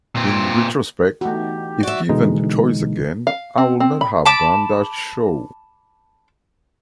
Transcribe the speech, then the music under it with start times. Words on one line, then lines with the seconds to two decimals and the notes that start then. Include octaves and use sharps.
In retrospect, if given the choice again, I would not have done that show.
0.15 A#2 C4
1.21 E3 A3 B3 D#4 F#4 G4
1.83 F#4 D5 E5
2.09 B2 D3 E3 G#3 D#4
3.27 F5
3.58 C4
3.80 C4
4.01 B5
4.25 A5 B5 D6